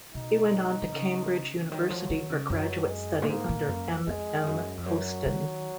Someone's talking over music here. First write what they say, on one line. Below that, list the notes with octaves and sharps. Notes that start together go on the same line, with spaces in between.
He went on to Cambridge University for graduate study under M. M. Postan.
B2 D#4
D#3
C#3
D#3 F#3
F3
D#3
C#3
F#2 F#3
G#3
A#2
G#2 A#3
A#2
F#2
F2
F2 G#3
F#2
F2
F#2 F#3
D#3